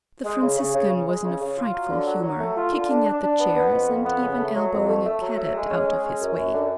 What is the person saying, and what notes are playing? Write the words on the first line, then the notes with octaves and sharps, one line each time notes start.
The Franciscan was in a frightful humor, kicking at the chairs and even elbowing a cadet out of his way.
G#3
C#3
C#3
C#3
C#3
G#3
C#3
C#3
F4
F#3
D3
F#3
F#3
A3
F4
D3
D4
D4
D4
B3
B3
F2
F2
B3
C#3
A3
F#3
F2
A3
A3
F#3
A3
G#3
C#4
G#3
C#4
F#2
F#2
D3